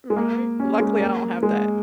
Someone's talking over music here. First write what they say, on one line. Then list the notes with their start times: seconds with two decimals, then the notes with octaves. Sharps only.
Right. Luckily, I don't have that.
0.10 G#3
0.16 A#3
0.60 C#4
0.80 G#3
1.00 A#3
1.43 G#3